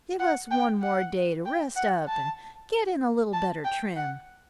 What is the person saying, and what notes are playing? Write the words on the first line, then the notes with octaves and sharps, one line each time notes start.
Give us one more day to rest up and get in a little better trim.
F#5
G5
F#5
G5
F#5
A5
A5
G5
F#5